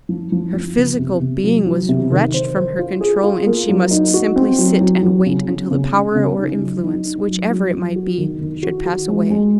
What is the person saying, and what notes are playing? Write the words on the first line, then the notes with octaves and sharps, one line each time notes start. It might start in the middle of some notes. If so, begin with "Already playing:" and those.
Her physical being was wrenched from her control, and she must simply sit and wait until the power or influence, whichever it might be, should pass away.
F3
F3
F3
C#3
C3
C3
F#3
F#3
C3
D#3
C5
C5
F4
G#4
F4
A#3
F#3
D#4
F#4
C4
F#3
F#3
F#3
C#3
C#4
C#3
C#3
C#3
D#4
F#3
D#4
D#4
F#3
F#3
F#3
F#4
D#3
D#3
F#4
F#4
G#3
G#3